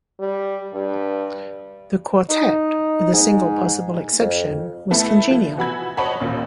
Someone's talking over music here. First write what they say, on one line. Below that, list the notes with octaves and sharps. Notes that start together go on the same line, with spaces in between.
The quartet, with a single possible exception, was congenial.
G3
G2
D#4
G#2
F2
A3 B3 E4 A5
F3
E3 B3 F#4 B5 E6 G#6
C5 C#5 D#5 F#5 A5 B5
A1 D#2 A#2